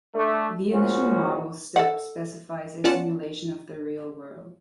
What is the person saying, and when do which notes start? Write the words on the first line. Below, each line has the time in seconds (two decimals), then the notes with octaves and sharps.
The initial model step specifies a simulation of the real world.
0.15 A3 D4
0.71 A#1 A#2 F3 C#4 F#4
1.76 A4 F#5
2.84 B3 C#4 F4 D5 F#5 A5